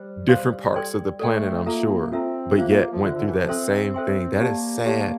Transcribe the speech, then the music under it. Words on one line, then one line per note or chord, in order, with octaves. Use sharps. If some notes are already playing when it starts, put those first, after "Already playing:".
different parts of the planet, I'm sure, but yet went through that same thing. That is sad.
Already playing: G3 C5
C5 F5 C6
A4 D5 G5 C6
A3 A4 D5 G5 C6
A#3 F4 A4 E5 A#5
C4 F4 A4 E5 A#5
A#3 F4 C5 E5
A#3
A#3
F3
D3 F4 C5 E5
D3
E3
F3
C4 A4 C5 E5 G5 C6
A4 C5 E5 G5 C6
A#3 G4 D5 A5
G4 D5 A5